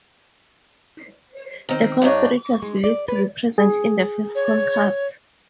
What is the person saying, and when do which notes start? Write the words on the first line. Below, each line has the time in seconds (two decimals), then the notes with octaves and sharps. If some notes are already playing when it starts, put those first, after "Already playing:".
The corn spirit was believed to be present in the first corn cut.
1.69 D#3 C4
2.02 G2 B3 D4 D#4 C#5
2.62 G#3
2.84 D5
3.08 B4
3.58 G#4
4.35 C#5